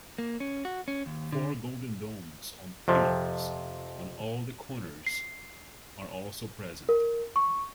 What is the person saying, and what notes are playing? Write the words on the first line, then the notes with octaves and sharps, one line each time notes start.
Four golden domes on pillars on all the corners are also present.
A#3
C#4
F#4
C#4
D#2
D3
F2 C3 F3
C7
A#4
C#6